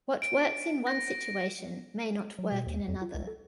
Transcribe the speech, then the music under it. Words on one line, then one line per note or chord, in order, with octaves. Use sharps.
What works in one situation may not work in another.
D7
A#6
F#3
B2
D#2
F2
F4
C#2
A4